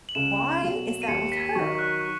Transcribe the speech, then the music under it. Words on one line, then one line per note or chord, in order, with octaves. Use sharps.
"Why is that with her?"
F#7
C#2 E7
B2 F#3
D#7
D#2 C#7
B6
D#3 F#3 C#6
F#6
F#6